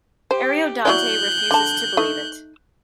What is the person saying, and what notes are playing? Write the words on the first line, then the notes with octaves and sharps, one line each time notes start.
Ariodante refuses to believe it.
G4 C5
F#3 E4 D5 F#6 G6
D3 A5
A3 D#4